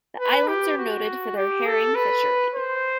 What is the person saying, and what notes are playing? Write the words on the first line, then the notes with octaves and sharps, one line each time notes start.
The islands are noted for their herring fishery.
B4
G4
F#4
G4
A4
B4
C5